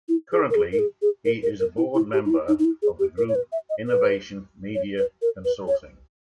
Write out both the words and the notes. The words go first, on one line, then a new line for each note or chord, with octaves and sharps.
Currently he is a board member of the group Innovation Media Consulting.
E4
G#4
A#4
G#4
A#4
G#4
G#4
A#4
A#4
A#4
E4
E4
G4
D#4
E4
D#4
D#4
E4
G#4
G4
A#4
C#5
B4
E5
D#5
B4
C#5
B4
A#4
B4
C#5